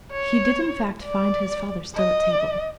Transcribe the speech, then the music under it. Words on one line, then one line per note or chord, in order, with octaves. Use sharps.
He did in fact find his father still at table.
C#5
D5
D#5